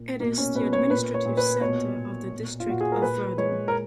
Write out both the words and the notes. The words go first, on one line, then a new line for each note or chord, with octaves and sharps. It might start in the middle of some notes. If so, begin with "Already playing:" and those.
It is the administrative centre of the district of Verden.
Already playing: A#2
B2 A#3
C#4
B2 B4
C#5
A#2 B4
C#5
A#2
B4
B2 C#5
B2
A#2
F4
A#2 F#4
G#4
A#4
A#2 B4
G#3 C#5
A#4